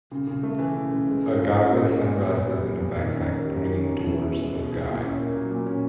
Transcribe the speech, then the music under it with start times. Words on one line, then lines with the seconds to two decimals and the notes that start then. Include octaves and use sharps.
A guy with sunglasses and a backpack pointing towards the sky.
0.12 C#3
0.27 C#3
0.43 A3
0.59 E3
0.75 C#3
0.91 C#3
1.07 G#3
1.23 A#4
1.39 F4
1.54 C#4
1.70 G#3
1.86 A#4
2.02 A#2
2.18 A#2
2.33 B3
2.49 G3
2.66 A#2
2.81 A#2
2.97 D#3
3.13 C#4
3.29 A#3
3.45 G3
3.61 D#3
3.76 C#4
3.92 B2
4.08 E4
4.24 B3
4.40 G#3
4.55 B2
4.72 E4
4.87 A#2
5.03 C#4
5.19 A#3
5.35 F#3
5.51 A#2
5.67 C#4